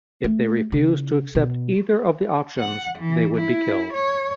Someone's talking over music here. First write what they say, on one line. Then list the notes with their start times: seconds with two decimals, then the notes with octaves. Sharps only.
If they refused to accept either of the options they would be killed.
0.24 A3
0.72 C#3
1.35 B2
2.59 F#5
2.99 E3
3.37 E4
3.93 C#5